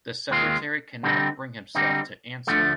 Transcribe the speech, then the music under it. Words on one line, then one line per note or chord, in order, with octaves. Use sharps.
The Secretary cannot bring himself to answer.
D#2 D#3 G#3 C4 F4
D3 G3 C4 D#4
D3 G3 C4 D#4
D2 D3 F3 A3